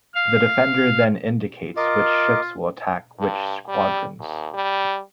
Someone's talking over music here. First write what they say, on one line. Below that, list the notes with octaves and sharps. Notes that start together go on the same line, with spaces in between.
The defender then indicates which ships will attack which squadrons.
F5
F4 A#4 D#5 D6
G2
G3
D#2
G3